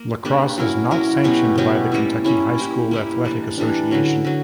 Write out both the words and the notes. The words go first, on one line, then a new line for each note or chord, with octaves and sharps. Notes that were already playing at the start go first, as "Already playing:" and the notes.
Lacrosse is not sanctioned by the Kentucky High School Athletic Association.
Already playing: A#3
A#3 D4 G4 B4
F#3 C#4 E4 A#4
F#3 C#4 E4 A#4
B2 F#3 C#4 G4
B2 F#3 C#4 G4
G3 A#3 C#4 E4
G3 A#3 C#4 E4
A#3 E4 G4
A#3 E4 G4
E3 G3 A#3 D4
E3 G3 A#3 D4
D3 F#3 C#4
D3 F#3